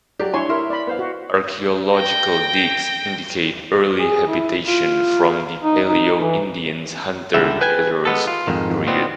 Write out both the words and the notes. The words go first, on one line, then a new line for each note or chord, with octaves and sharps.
Archeological digs indicate early habitation from the Paleo-Indians Hunter-gatherers period.
F#3 G4 D5
D4 E4 C#5 G#5 C6
E4 A#4 E5 C6
D5 B5
B3 C5 F5
F#4
G5 A#6
G#4
E4
F4
D#4
D#4
E3
C#2 D3 G3 E5
G#4 B4 G5 G#5
G#3 B3 A4
F4
F2 G#2 D#3
A#2 D#3 B3 C4